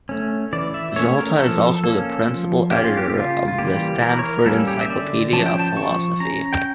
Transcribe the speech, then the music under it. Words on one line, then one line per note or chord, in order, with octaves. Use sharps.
Zalta is also the Principal Editor of the "Stanford Encyclopedia of Philosophy".
A3 C#4
E3 D5
E5
A3 C#4 C#5
A#4
F3 A4
A#3 C#4 A4
F3
A#3 C#4 G4
F4
G4
G4
C#3 F4
F4
E3 G3 A#3 G4
E3 A#4
C#5
A#4
G3 A#3 C#4 A4
G4
E5
D3 D5
F3 C#4 A5
G5
A5
F3 C#6
C#4 A#5
G5